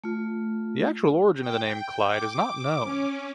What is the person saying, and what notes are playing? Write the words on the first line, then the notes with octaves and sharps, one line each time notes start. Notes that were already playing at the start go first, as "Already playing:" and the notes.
The actual origin of the name "Clyde" is not known.
A3 F4
G5
D6
C#4